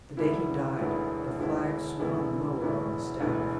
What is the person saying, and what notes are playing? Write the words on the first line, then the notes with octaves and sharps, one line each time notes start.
The day he died, the flag swung lower on the staff.
E1 D2 D3 B3 E4
E1 D2 D3 B3 E4
E1 D2 D3 B3 E4
E1 D2 D3 B3 E4
E1 D2 D3 B3 E4
E1 D2 D3 B3 E4